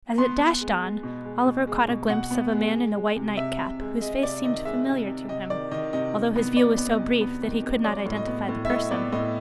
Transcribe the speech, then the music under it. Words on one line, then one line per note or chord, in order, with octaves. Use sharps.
As it dashed on, Oliver caught a glimpse of a man in a white nightcap, whose face seemed familiar to him, although his view was so brief that he could not identify the person.
B3 C6
B3
G#3
G#3
B2
G#3
B2
G#3
B2
B2 F#5
B3
G#3
G#3
G#3
C3
C3 E5
C3
G#3
G#3 D#5
C3 D5
D#3 D#5
G#3 E5
C3
C3
C3 D#5
D#3 D5
D#3 D#5
C3 D#5
C3
B3
B3 D5
B3
D#5
C3
B3
D#3
C3
F#3 D5
A2
D#5
B3
A2
E5
A2 D#5
B3 D5
A2 D#5